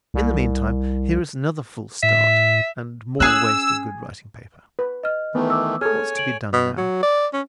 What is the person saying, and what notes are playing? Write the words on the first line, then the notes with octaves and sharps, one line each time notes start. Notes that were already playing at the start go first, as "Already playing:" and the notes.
In the meantime, here is another false start, and more waste of good writing-paper. What's to be done now?
C2
A2 E5
C#4 G#4 E6 F#6
B4
D#5 F6
D#3 E3 A3 B3
D6 E6
G#4 A4 C#5 G#5 F6
D7 F#7
B2
F#3
D5
C#4